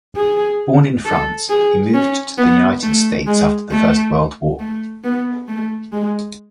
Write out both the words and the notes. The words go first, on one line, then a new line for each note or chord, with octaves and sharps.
Born in France, he moved to the United States after the First World War.
G#4
A4
G#4
C#4
B3
A3
G#3
A3
A3
B3
A3
G#3